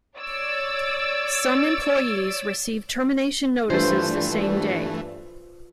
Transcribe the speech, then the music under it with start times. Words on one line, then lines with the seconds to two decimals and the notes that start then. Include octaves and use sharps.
Some employees received termination notices the same day.
0.18 C#5 D5 E6 A6 D7
3.70 G2 E3 A3 D4 F4 B4 C5